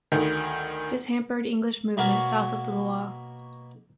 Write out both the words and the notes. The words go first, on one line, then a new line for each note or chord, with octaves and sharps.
This hampered English movement south of the Loire.
D2 D#3
B2 A#3 F#4 C#5 F5 B5